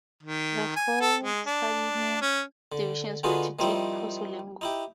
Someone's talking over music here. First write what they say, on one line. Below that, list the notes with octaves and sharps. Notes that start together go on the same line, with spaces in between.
The four Sardinian divisions were to take Pozzolengo.
D#3
G#5
A4
G#3
D4
C#4
D3
D3 B3 D#4 F4 F#4 G#4
D#3 F3 G3 C4 D#4 E4
D#4 E4 G4